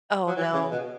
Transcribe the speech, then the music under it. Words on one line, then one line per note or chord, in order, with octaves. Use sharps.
Oh, no.
F#3
E3
C#3
B2